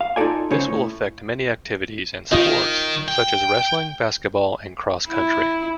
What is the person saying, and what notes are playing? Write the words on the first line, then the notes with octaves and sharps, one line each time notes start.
This will affect many activities and sports such as wrestling, basketball, and cross-country.
F5
D#4 F4 G4 A4 D5 G#5
C#2 C#3 C#4 C5 C#5 G#5
A2
D#3 F4 D#5
G5
E4